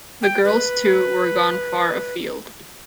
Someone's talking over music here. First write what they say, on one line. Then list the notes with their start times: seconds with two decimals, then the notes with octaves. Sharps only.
The girls, too, were gone far afield.
0.22 G5
0.44 B4